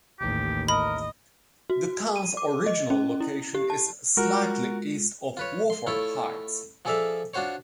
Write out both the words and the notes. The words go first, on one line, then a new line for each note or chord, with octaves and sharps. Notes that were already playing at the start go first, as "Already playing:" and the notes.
The town's original location is slightly east of Wofford Heights.
A1 D#2 G4
A#4 D#5 B5
F#4
D#7
D6
D#5
C#4
E4
G4
A5
G#3 F4 F#4 A#4
F4 B4 C#5
C6
A3 E4 F4 C#5
F3 G#4 A4 D5 E5 F5
D4 F4 F#4 C5 C#5